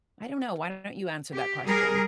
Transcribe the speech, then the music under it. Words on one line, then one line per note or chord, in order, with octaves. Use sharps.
I don't know, why don't you answer that question?
G4
G3 G#4 A#4